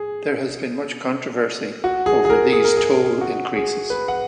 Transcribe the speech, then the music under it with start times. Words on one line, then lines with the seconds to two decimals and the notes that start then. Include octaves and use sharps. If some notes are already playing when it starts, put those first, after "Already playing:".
There has been much controversy over these toll increases.
Already playing: G#4
1.84 F#4
2.06 G#4
2.25 G#4
2.30 A#4
2.52 G#4
2.64 A#4
2.77 G#4
3.21 F#4
3.56 G#4
3.90 B4
4.08 F#5